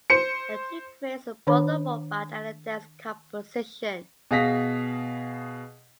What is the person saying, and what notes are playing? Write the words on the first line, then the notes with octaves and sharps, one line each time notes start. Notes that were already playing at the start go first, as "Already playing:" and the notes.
A team creates both a robot and a dance composition.
C5 C#7
D#3 D4 C#5 B5
B2 G#4 F5 A#6 B6